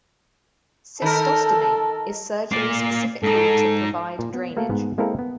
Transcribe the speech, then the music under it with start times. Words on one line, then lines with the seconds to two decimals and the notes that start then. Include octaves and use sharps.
"Cystostomy" is surgery specifically to provide drainage.
1.02 D#3 A4 A#4
2.52 A#3 D5
3.23 G#2 D#4 A4
4.19 A#2
4.34 B3
4.57 A3 A#3 F#4 A4
4.70 G#2 B3
4.98 G#3 A#3 C4 E4 A4 A#4
5.19 B3